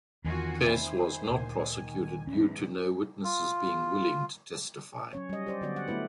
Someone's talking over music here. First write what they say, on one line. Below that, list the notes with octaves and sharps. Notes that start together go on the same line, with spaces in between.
The case was not prosecuted due to no witnesses being willing to testify.
E2 D#3 C4 F4 F#4 G#5
C5 E5 B5
D2 A#2
E2 G#2 C#4
F4
F#3 C#4 C#5
G3 D#5
G4 C5 D5
D3 F#3 B3 F#4 D5
F#5
A3 B3 E4 B4